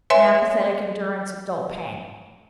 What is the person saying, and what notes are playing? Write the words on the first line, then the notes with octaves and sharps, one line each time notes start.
An apathetic endurance of dull pain.
B4 C#5 E5 G#5 C6